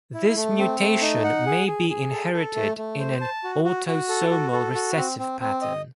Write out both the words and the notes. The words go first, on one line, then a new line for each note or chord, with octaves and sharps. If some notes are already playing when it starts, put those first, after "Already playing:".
This mutation may be inherited in an autosomal recessive pattern.
E4
A3
C4
A3
D#4
F#5
G#4
G#4
G#4
A4
A4
A3
A3
C5
A5
F#4
F#4
F#4
A4
F#4
A4
F#4
C4
C4
C4
D#5